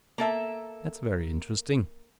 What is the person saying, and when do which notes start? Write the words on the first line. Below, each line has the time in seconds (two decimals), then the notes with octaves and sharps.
That's very interesting....
0.18 A#3 A4 E5